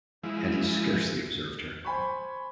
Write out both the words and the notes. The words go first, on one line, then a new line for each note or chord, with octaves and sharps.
And he scarcely observed her.
F3 G#3 E4
C5 G#5 B5 C#6